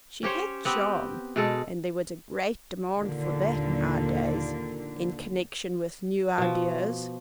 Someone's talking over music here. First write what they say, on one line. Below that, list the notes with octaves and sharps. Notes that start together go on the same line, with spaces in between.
She had charm, and there was a great demand for that nowadays in connexion with new ideas.
C#4 G4 C5 C#5
B3 C4 G4
B2 G#3 A4
D#2 A#2 D3
B2 F3